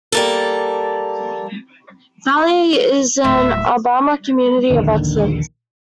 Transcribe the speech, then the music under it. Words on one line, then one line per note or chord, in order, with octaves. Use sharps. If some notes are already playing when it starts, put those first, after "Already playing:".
Valley is an "Alabama Community of Excellence".
G3 A#3 A4
D1 A3 E5
A#1 D#2 D3 D#3